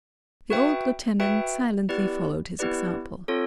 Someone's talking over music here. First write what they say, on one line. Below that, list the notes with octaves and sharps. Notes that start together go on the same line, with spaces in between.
The old lieutenant silently followed his example.
F#4 B4 E5 G5
F#4 B4 E5 G5
B3 E4 G4 B4 D5
B3 E4 G4 B4 D5
C4 F4 A4 C#5